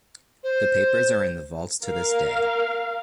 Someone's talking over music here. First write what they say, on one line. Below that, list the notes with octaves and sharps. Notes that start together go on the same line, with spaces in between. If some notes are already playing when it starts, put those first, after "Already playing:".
The papers are in the vaults to this day.
C5
A#4 F5